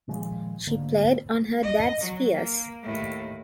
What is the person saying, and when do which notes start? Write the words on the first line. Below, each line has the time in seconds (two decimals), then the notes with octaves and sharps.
She played on her dad's fears.
0.08 A#2 D#3 F3 G#3
0.67 G#1 D3 A#3
1.62 D#5
2.01 F#3
2.35 A#3
2.83 D#2 A2